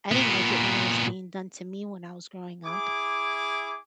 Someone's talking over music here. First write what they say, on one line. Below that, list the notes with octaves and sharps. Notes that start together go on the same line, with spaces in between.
I didn't like it when it was being done to me when I was growing up,
A#2 B3
E4 G#4 D6